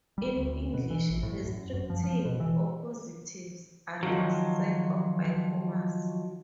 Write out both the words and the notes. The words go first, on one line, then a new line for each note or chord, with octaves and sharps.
In English, restrictive appositives are not set off by commas.
G3
D2
B2
E3
A#1
A2
F#2
F#2
F3
F3
B2
E3
D#3 F3 F#3